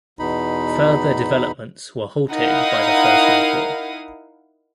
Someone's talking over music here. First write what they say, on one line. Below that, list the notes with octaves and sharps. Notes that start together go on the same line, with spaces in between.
Further developments were halted by the First World War.
E2 B2 D#4 B5
D#4 E4 A#4 F5 F#5 D#6